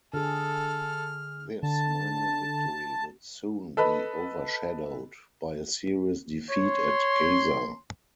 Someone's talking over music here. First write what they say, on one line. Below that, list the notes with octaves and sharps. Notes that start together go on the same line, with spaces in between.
This minor victory would soon be overshadowed by a serious defeat at Gaza.
D3 G#4 A4 F6
D3 A5
A4 B4 D#5 B5
C#5 C6